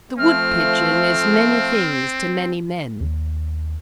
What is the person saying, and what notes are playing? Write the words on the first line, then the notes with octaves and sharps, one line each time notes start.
The woodpigeon is many things to many men.
F3 A3 C4 F6
D#2